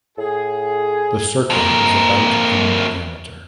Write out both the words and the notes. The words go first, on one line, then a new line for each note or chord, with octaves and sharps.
The circle is about in diameter.
A2 G#4
F2 A#3